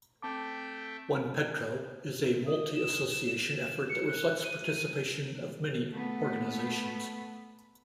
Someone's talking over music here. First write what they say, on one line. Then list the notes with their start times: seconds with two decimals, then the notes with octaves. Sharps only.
OnePetro is a multi-association effort that reflects participation of many organizations.
0.22 A3 C4 G5 A5 D6
2.47 D#6
2.75 E7
3.90 C#7
4.08 F#6
4.44 D#7
5.90 A3 B3